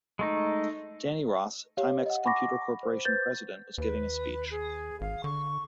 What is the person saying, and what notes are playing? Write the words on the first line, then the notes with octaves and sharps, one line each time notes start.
Danny Ross, Timex Computer Corporation president was giving a speech.
G#3 A3 D#4
G4 C#5 F5
D#5 F#5
F#5 G#5 B5 C#6 D6 A#6
C5
B4 C5 G6 A6
D#2 B4
G#4
G#1 F5
D3 C#6